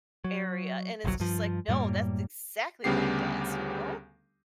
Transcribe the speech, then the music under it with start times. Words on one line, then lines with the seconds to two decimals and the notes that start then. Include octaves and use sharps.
area, and it's just, like, no, that's exactly what it does, you know?
0.24 F#3
1.04 G1 C2 B2 F#3
1.20 G2 F3
1.68 F#2 A2 G3 A#3
2.84 D2 C#3 G3 B3 G4 C7